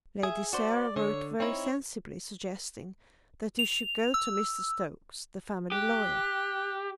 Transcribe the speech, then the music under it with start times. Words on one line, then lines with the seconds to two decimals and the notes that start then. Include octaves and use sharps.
Lady Sarah wrote very sensibly, suggesting that he should go to Mr. Stokes, the family lawyer.
0.23 G#4 E5
0.53 F#4 C5 D5
0.96 D3 C#5
1.40 C4 D#4 E4 C#5
3.59 F7
4.14 E6
5.72 G4 F#6